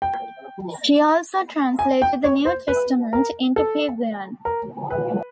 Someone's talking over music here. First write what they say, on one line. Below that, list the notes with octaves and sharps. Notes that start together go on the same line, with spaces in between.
She also translated the New Testament into Peguan.
G5
G#5
G5
C#5
C5
B4
A#4
A4
A#4
B4